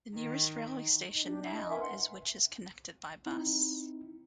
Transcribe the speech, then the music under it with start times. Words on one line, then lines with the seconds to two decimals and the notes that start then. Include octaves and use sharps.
The nearest railway station now is which is connected by bus.
0.15 D#3
1.11 D#4
1.24 D4 G4
1.43 E4
1.56 D#5
1.69 A#4 B4 E5 G#5
1.81 F#5 C6
3.26 C4 D#4 E4